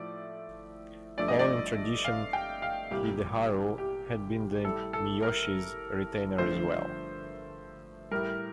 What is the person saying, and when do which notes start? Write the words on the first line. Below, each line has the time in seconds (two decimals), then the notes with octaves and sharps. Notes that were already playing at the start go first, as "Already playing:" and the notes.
Following tradition Hideharu had been the Miyoshi's retainer as well.
Already playing: A2 F3 A3 D5
1.17 G2 F3 A3 D5
1.28 D#5
1.39 D5
2.05 F5
2.33 G5
2.62 F5
2.91 C2 A#2 G3 G4
3.78 G4
4.65 A2 G3 A4
4.93 A4
5.23 A#4
6.38 G2 D3 F3 A3 C5
8.11 A2 G3 A#4